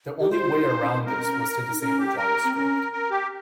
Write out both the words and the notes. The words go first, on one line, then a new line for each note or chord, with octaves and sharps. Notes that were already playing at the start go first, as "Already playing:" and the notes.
The only way around this was to disable JavaScript.
G4
F4 C5
F4
D#4
F4
D#4
C#4
C4
C4 A#4
C4
C#4
D#4
C#4 A#4
G4
A#4
C4
C#4 A#4
A#4
G4